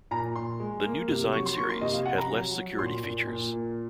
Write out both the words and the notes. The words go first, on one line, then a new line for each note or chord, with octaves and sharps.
The New Design Series had less security features.
A#2 A#5
A#2 C6
G#3
A#3
C3
F#3 C#6
C6
A#3 C#6
C6
C3 D#5
F5
C3 F#5
A#5
F#3
F#3
A#2 C6
A#2
A#2
A#3